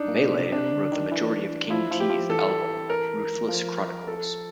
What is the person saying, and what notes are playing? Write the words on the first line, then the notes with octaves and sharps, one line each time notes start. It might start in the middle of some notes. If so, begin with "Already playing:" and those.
Maylay wrote the majority of King T's album "Ruthless Chronicles".
Already playing: D4 D#4
A#2
B2
C3
C3 D4
D3
D#3
E3
F3 E4
F3
G4
F3
E3 A4
A#4
F3
A4